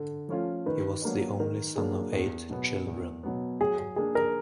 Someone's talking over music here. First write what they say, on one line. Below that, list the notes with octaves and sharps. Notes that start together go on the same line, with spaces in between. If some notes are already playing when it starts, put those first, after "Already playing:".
He was the only son of eight children.
Already playing: D3
F3 A3 C#4 F4
D#3 B4
F#3 A#3 D4
D#3 A#4
F#3 A#3 D4 G#4
E2
B2 F#3 B3
E2
B2 F#3 B3
F#3 G#4
G#4
A#3 D4 G#4
A#4